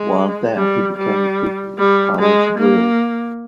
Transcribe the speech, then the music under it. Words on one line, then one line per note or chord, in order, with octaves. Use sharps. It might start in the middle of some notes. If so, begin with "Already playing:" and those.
While there he became a pupil of Paulus Bril.
Already playing: G#3
G3
G3
G3
G#3
A#3